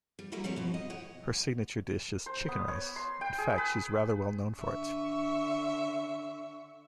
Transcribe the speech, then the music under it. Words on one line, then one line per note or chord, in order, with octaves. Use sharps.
Her signature dish is "Chicken Rice"-in fact she is rather well known for it.
G3
F#3 G3 A3 A#3 E4
D3 G3 G#3 C4 C#5
B2 F3
D#5
C#5 F#5 G5
C5
B3
C#5
C6
G5
G#4
B4
D3 E5 C#6